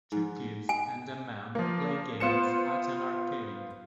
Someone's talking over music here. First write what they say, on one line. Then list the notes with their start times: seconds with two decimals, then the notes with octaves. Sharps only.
Two kids and a man play games at an arcade.
0.12 G#2
0.69 G#5
1.55 F3 A#3
2.20 B3 F4 C5 C#7 E7